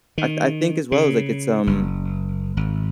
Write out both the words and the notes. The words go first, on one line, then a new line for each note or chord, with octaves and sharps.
I I think as well, like, it's, um
D#3
C#3
F#1
G#1